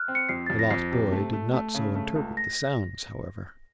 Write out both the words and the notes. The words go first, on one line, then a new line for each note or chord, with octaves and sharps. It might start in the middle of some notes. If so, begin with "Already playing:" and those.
The lost boy did not so interpret the sounds, however.
Already playing: F6 F#6
C4
C#7
F2 C7
F2 A6
A#6
F2 C7
C3
A3
A3
A3
C#3
A3
C#2
A#6